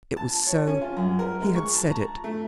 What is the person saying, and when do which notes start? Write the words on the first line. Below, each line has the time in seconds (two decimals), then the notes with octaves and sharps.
It was so; he had said it.
0.17 A5
0.47 C#5
0.67 C#4
0.81 F4
0.97 F#2
1.19 A#4
1.42 G#3
1.56 C#6
1.75 A5
1.90 A#5
2.24 A3